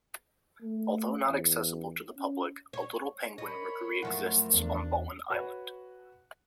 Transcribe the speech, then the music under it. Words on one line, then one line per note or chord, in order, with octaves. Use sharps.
Although not accessible to the public, a little penguin rookery exists on Bowen Island.
A3
E2
C#4
C#5
A#4 C5 C#5 D#5 B5
F#2 F3 A3 E4 F#5
E2 D4
F#4 B4 C#5 F#5